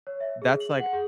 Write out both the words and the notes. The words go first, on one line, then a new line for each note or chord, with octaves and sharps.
That's, like
C#5
E5
G#4
F#7
F#5
G#4